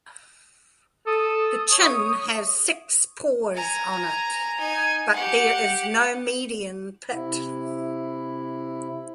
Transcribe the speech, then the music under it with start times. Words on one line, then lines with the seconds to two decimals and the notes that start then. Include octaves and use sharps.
The chin has six pores on it but there is no median pit.
1.07 A4 D#6
1.72 C#5
3.54 G#5 A#5
4.58 D#4 G#5
5.13 G4 F#5
7.12 C3 E4